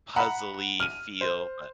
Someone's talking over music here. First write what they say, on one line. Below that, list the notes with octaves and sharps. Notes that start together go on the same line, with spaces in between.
puzzle-y feel but,
F#5 A#5 B5
F6 D#7
C5